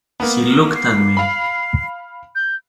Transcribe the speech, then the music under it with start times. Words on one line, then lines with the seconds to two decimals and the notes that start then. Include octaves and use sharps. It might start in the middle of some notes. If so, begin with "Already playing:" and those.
He looked at me.
0.20 A#3 B3
0.76 C7
1.17 F5 B5
2.35 G6